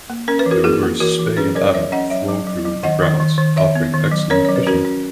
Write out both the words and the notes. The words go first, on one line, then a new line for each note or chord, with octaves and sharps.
The rivers Spey and Avon flow through the grounds, offering excellent fishing.
A#3
C#4 A#4
B4
E3
F#4 A#4
A#3 E4 G#4
A#3
E3 F#4 A#4
E3
C#4 G#4 B4
F#3 A#4 C#5
F#3 C#5 E5
C#4 D#5 F#5
F#3 C#5 E5
F#3
F#3
F#3
D#3 D#5 F#5
D#3
D#3
D#3
D#3 C#5 E5
B3
D#3
F#3
C#4 A#4 C#5
F#3 C#5
B4
C#4 F#4 A#4
C#4